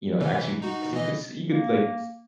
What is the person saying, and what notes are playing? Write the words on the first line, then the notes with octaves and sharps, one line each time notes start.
you know, actually 'cause you could s you could, like, s
C3 E3
D#4 F#4
E3 D#5
A#3